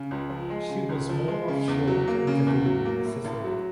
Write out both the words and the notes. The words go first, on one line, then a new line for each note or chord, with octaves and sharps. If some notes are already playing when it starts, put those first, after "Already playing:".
She was moored offshore to intervene when necessary.
Already playing: C#3
C#2
F3
G#3
C#3
C#2
F3
G#3
C#3
E2
F#3
A#3
C#3
E2
F#3
A#3
A2
A1
F#3